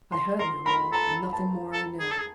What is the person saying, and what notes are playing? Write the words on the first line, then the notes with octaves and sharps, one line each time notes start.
I heard no more, and nothing more I know.
C6
A#4 C6
A#4 B5
A4 A#5
A5
A4
G#4
A4
G#4